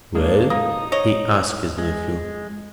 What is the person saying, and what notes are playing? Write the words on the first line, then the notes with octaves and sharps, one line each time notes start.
"Well?" he asked his nephew.
G#3 A#3 D4
A#3 D#4 D#6
C#5 D#5
G#3